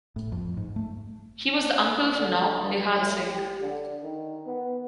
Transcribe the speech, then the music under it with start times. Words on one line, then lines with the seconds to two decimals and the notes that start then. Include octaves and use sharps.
He was the uncle of Nau Nihal Singh.
0.16 A2
0.32 F2
0.57 G#2
0.76 A3
2.18 D3
2.63 G2
2.95 A2
3.27 G4
3.62 D3
4.03 D#3
4.47 B3